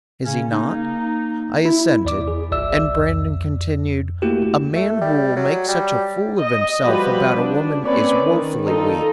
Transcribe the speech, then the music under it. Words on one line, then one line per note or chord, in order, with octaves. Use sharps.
Is he not?" I assented; and Brandon continued: "A man who will make such a fool of himself about a woman is woefully weak.
C#3 C#4
A#3 D#4
E4
E2 D5 D6
G#4
G1 C2 D5 E5 E6
F2
A3 A#3 E4 F#4 G4
A3
G3
F#3
G3
D#5
F3 G3 F#4 G4 B4 B5
D4
A#3 C4 C#4 B4 C#5 D5
D#3
D#4 F4 A4